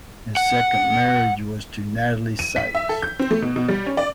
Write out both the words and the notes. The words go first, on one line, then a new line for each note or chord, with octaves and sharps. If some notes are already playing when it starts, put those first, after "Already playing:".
His second marriage was to Natalie Sykes.
F#5
D#7
B6
E5
A4
G6
C4
A3
B2
B2
G3
C#4
D5